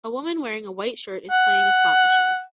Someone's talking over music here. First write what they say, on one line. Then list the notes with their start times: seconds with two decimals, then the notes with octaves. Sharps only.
A woman wearing a white shirt is playing a slot machine.
1.31 F#5